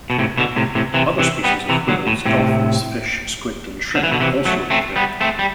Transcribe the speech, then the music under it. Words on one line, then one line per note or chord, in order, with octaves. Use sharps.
Other species of whales, dolphins, fish, squid and shrimp also live there.
B2
A2 C3
B2 D3
A2 C3
A2 C3
C3 E3
C3 E3
G3 B3
C3 E3
D3 F#3
A2
A2 C3
D3
E3
B2 D3
C3 E3
F#3 A3
A3 C4
G3 B3
A3 C4
G3